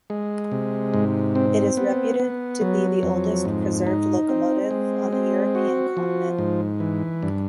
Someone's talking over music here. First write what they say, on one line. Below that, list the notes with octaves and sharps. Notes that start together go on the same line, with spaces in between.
It is reputed to be the oldest preserved locomotive on the European continent.
G#3
C3
G#2
C4
B3
B3
F#3
F2
G#2
D#4
C4
G#3
C4
F#4
F3
G#2
E3
G2